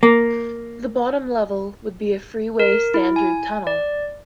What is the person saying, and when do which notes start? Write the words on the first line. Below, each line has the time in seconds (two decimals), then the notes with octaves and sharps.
The bottom level would be a freeway standard tunnel.
0.03 A#3
2.60 A#4
2.94 E4
3.16 G#5
3.67 D5